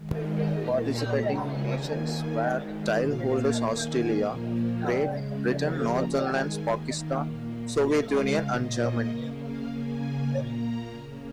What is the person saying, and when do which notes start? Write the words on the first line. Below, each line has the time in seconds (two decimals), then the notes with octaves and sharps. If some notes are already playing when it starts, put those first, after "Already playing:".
Participating nations were: titleholders Australia, Great Britain, Netherlands, Pakistan, Soviet Union and Germany.
Already playing: D#3 G#3
0.23 D#5
0.53 A#2 A#3 G#5
0.85 A#5
1.14 C#3 G#3 A#5
1.45 G#5
1.76 D#3 A#3
2.36 D#3 G#3
2.98 A#2 A#3 F5
3.58 D#3 A#3 G#5
4.19 A#2 F3 A#3
4.81 C#3 G#3
5.41 C#3 F3 A#3 G#5
5.72 A#5
6.03 D#3 G#3 G#5
6.63 D#3 A#3
7.24 A#2 A#3
7.86 C#3 G#3 F5
8.46 A#2 A#3 D#5
9.07 C#3 A#3 C#5
9.37 F5
9.68 C#3 A#3 G#5
10.29 A#2 A#5
10.34 A#3
10.90 C#3 A#3 G#5